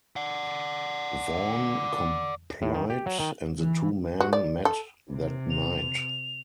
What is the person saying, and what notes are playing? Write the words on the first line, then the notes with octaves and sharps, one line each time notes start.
Vaughn complied, and the two men met that night.
D5 F#5
A2
D#3
G4
F#3
D#3
E3
F#4
D5
A4
C3
F7